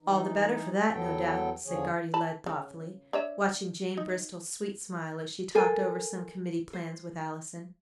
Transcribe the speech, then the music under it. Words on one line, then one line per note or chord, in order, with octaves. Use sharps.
"All the better for that, no doubt," said Guardy Lud thoughtfully, watching Jane Bristol's sweet smile as she talked over some committee plans with Allison.
E3 D#4
E2 F#3 B3 A4 G5
E2 D3 F3 G#4 C#5
A5 B5
C#3
D4 C#5 E5
D#4
A4 A#4 C5 G#5
C5